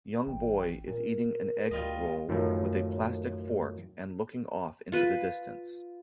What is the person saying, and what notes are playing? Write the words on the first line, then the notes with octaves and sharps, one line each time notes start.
Young boy is eating an egg roll with a plastic fork and looking off into the distance.
A1 G5
A#2 A#4
D2 G3 F4 D#5
F#2 A2 D#3 F3
F4 B4